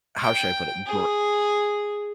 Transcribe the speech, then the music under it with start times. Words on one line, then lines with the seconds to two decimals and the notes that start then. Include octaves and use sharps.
how should I put it? Gr
0.23 G5
0.86 G#4